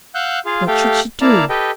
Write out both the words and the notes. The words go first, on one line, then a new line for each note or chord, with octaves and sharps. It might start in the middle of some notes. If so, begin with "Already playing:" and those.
What should she do?
F5 F#5 E6 F#6 G6
F4 G#4 F5
A3 G4 A4 F5 G5
A#3 E4 D5 F5 A5 A#5
G4 A4 B4 D#5 G5